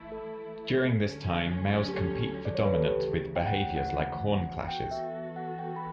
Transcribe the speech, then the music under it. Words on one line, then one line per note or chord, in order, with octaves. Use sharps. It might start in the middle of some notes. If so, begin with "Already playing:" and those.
During this time, males compete for dominance with behaviors like horn clashes.
Already playing: E3 A3 E4
A4
D2 D3 F#3 C#4
G4
A4
D5
C#5
B4
A4
D2 C#3 E3 G4
G5
F#5
F#5
E3 B3 F#4 A4 G5
E5
F#5
G5
B5